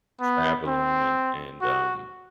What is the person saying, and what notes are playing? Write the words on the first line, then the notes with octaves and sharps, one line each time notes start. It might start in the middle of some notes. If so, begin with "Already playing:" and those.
traveling and and, um,
B3
C4
F#4